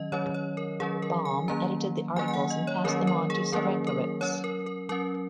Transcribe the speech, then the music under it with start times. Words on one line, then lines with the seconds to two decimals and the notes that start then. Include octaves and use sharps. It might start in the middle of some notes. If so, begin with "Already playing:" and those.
Baum edited the articles and passed them onto Cyrankiewicz.
Already playing: D#3 F#3 C#4 D#5
0.12 D#3 F#3 C#4 C#5
0.34 C#5
0.57 A#4
0.80 D#3 F#3 C#4 G#4
1.02 A#4
1.25 G#5
1.48 D#3 F#3 A#3 C#4 A#5
2.16 D#3 F#3 A#3 C#4 G#5
2.28 G#5
2.33 F#5
2.50 D#5
2.67 C#5
2.84 D#3 F#3 A#3 C#4 A#4
3.07 A#4
3.30 G#4
3.52 D#3 F#3 A#3 C#4 A#4
3.87 A#4
4.21 F#3 C#4 C#5
4.44 A#4
4.66 A#4
4.89 F#3 A#4
4.92 C#4